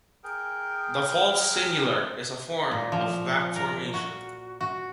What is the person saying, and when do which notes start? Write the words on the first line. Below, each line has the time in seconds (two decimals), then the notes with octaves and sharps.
The false singular is a form of back-formation.
0.24 G#4 A#4 G5
2.71 A#2
2.92 F3
3.56 A#4
3.94 F#4
4.61 F#4